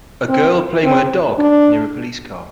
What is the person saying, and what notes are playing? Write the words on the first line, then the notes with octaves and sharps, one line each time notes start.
A girl playing with a dog near a police car.
C4
C4
D4